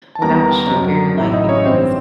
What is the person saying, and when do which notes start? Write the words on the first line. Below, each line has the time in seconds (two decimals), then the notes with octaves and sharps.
when I was younger, like, it was,
0.15 A5
0.22 D#2 D#3 G3 B3 A#4 A#5
0.70 F#2 D#3 F#3
1.17 A1 A2 F#3 E4 E5
1.33 D#4 D#5
1.49 C#4 C#5
1.65 G2 E3 G3 C4 C5